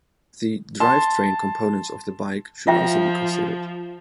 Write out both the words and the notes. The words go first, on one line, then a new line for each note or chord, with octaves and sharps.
The drivetrain components of the bike should also be considered.
A5 C6
F3 F4 E5 G5